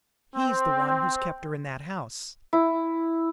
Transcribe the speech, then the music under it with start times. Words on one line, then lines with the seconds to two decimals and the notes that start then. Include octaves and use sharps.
He's the one who's kept her in that house.
0.35 C4
2.53 E4